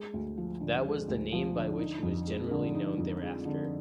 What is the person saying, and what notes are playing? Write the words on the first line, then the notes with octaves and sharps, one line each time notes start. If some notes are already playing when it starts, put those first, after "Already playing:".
That was the name by which he was generally known thereafter.
Already playing: G#3
D2
F3
D3
G#3
D2
F3
D3
D#4
F2
G#3
D3
D#4
F2
G#3
D3